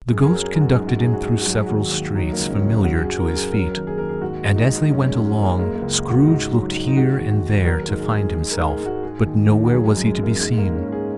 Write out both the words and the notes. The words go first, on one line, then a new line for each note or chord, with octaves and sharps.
The Ghost conducted him through several streets familiar to his feet; and as they went along, Scrooge looked here and there to find himself, but nowhere was he to be seen.
F#2 G#4
G#4
A#4
F#3
G#4
F#2
F#4
G#2 G#4
F#4
F#3 G#4
F#4
G#2 G#4
F#4
F#3
G#4
D#2 F#4
D#2
F#3 D#4
A#3
C#2
C#4
C#2
D#4
F#2 F#4
G#4
F#3
A#4
F#2
G#4
F#3 A#4
D#2
G#4
D#2 A#4
G#4
G#2 F#4
G#3
D#4
G#2
F#2 C#4
G#3
F#3
G#3
F#2
A#3
G#3 A#3
A#3
C#2
C#2
F#4
D#4
G#2
F#4
F#3
G#2
D#4
G#3 F#4
D#2
F#4
D#2
F#3 A#4
A#4
G#2
G#4
G#2
G#4
G#3 G#4
A#4
G#2
G#4
G#2
F#4
G#3 G#4
D#2
D#2
F#4
F#3 G#4
G#3
F#2
G#3
F#2
A#3
G#2 G#3
A#3
G#3
C#4
G#2
G#4